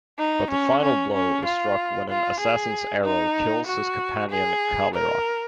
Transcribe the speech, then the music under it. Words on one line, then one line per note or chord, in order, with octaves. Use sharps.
But the final blow is struck when an assassin's arrow kills his Companion Kalira.
D#4
C#4
C#4
C#4
F4
F4
G#4
D#4
F#4
G#4
A#4